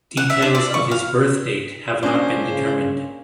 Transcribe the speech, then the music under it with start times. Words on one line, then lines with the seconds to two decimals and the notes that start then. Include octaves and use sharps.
Details of his birth date have not been determined.
0.17 F#5
0.30 E5
0.42 D4
0.55 D5
0.74 C#6
0.91 F5
2.03 A#3 C#4 D4 C5 D#5
2.45 C#3